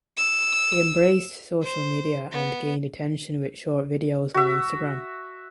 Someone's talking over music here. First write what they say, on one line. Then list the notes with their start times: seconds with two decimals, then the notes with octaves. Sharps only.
He embraced social media and gained attention with short videos on Instagram.
0.17 E6
1.63 C5
2.32 B3
4.34 F#4 E5